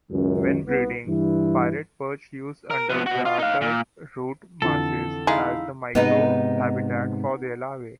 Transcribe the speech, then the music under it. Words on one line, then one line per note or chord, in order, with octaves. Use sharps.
When breeding, pirate perch use underwater root masses as the microhabitat for their larvae.
C#2 F#2 D#3
C2 B3
G2 E3
A#4
F3 B3
B3 F#4
F4
D#4 F5
A#2
F2 D3 E3 A4
G#3 D#4 E4 F5
G#2 C3 B3 D#4 B4